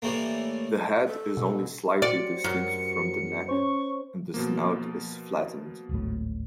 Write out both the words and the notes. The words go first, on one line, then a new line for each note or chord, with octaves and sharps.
The head is only slightly distinct from the neck, and the snout is flattened.
A2 E3 G3 A3 A#3
A4
B2
F#4 G4 C5 D5 C#7
F#2
C#4 C5 C#6
B2 F3 A#3
D1 G#1 A2